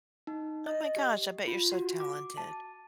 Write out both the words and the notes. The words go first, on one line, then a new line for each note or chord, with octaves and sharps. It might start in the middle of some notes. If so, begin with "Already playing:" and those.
Oh, my gosh. I bet you're so talented.
D#4
D#5
G4
F4
F#4
D6
A5